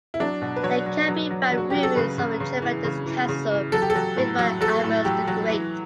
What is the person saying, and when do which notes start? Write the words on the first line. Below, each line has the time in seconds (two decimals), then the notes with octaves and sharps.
There can be found ruins of a tremendous castle, built by Abbas the Great.
0.14 E4
0.20 F#3 D4
0.42 B2
0.56 B4
0.63 F#3 C#5
0.86 F#3
1.08 F#3
1.31 F#3
1.51 F#3
1.58 F#4
1.70 F#3 G4
1.83 A4
1.96 C#3 B4
2.18 C#3
2.40 C#3
2.62 E3
2.85 C#3
3.06 E3
3.29 C#3
3.51 E3
3.72 F#3 A4
3.82 G4
3.90 A4
3.95 F#3
4.17 A2
4.39 F#3
4.61 F#3 A4
4.84 A2
5.05 F#3 G4
5.27 F#3
5.49 E3